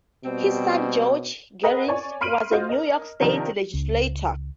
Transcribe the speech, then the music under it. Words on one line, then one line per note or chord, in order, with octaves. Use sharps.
His son, George Geddes, was a New York State legislator.
B2 G3 C4
G#4 A#4 B4 D#5 F#5 A#5
C#5 D5 G#5 C#6
B5 C6 F6 D7 D#7 F#7
F4 F#4 C5 D#5
A#4 D#5
C3 D#3 F3 D4 D#4 A#4
C#2